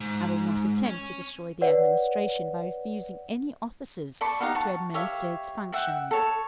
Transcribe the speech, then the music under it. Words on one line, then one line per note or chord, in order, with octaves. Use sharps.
I will not attempt to destroy the Administration by refusing any officers to administer its functions.
G#2
C#4
B4 C#5 D5 F#5
D5 A5 B5 C#6
D#4 G4 F5 F#5
A5 C#6
G4 C#5 E5 F5
E5 F#5 G5
A4 C#5